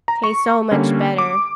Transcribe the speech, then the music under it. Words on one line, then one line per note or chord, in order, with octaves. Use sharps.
Tastes so much better.
A#5
C#6
D3 G3 A#3 C#4
D6